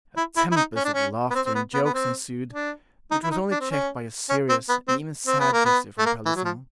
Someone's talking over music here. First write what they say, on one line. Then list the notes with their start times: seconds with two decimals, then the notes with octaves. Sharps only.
A tempest of laughter and jokes ensued, which was only checked by a serious and even sad gesture from Pelisson.
0.17 E4
0.37 E4
0.52 E4
0.56 D#4
0.76 C#4
0.85 D4
0.93 C#4
1.30 B3
1.35 C4
1.46 C4
1.55 B3
1.74 B3
1.85 B3
1.94 C4
2.53 D4
3.11 D#4
3.23 E4
3.31 D#4
3.51 D4
3.61 C4
3.70 C#4
4.29 C#4
4.49 C4
4.69 B3
4.88 C4
5.27 C4
5.40 B3
5.53 A#3
5.65 B3
5.98 A3
6.06 A#3
6.26 E3
6.36 F#3
6.45 F3